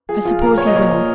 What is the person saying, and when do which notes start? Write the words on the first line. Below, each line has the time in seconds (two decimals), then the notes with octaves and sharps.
I suppose he will.
0.09 F3 G#4
0.25 F3 F4
0.41 A#2 A#4
0.57 A#2 C#5
0.67 D#5
0.74 A#2 C#5
0.91 A#2